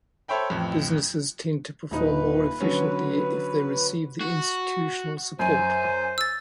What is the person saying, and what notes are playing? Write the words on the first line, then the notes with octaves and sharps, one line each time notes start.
Businesses tend to perform more efficiently if they receive the institutional support.
A4 C5 C#5 E5 G5 B5
A1 F2
D#1 D#4 B4
D3 F#3 C#4
F#4
F#2 C5 G#5
E6 A6